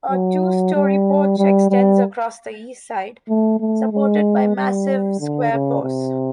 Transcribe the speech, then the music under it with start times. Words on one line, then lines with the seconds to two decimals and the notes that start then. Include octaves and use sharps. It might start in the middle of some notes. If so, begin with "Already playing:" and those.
A two-story porch extends across the east side, supported by massive square posts.
0.11 F#3
0.75 G3
1.38 G3
1.70 G3
3.29 A3
3.60 A3
3.92 G#3
4.56 G3
5.20 D3
5.51 C#3
5.83 C3